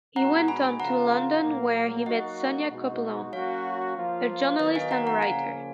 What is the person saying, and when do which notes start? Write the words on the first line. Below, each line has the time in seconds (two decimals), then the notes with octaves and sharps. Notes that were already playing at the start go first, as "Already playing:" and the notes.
He went on to London where he met Sonia Copeland, a journalist and writer.
0.16 B2 G#3 B3 D#4 F#4 F#5 A#5
0.48 G#5 B5
0.79 C#3 F3 A#3 F4 F#5 A#5
1.43 A#2 F#3 A#3
2.06 F#3 A#3 D#4 F#4 D#5 F#5
2.70 B2 G#3 D#4 F#4
3.32 F#3 A#3 C#4 F#4 C#5 F5
3.97 F3 A#3 F4
4.59 D#3 F#3 B3 D#4 F#4 B4 D#5
4.75 F5 G#5
4.91 F#5 A#5
5.07 F#5 A#5
5.22 C#3 F3 A#3 F5 G#5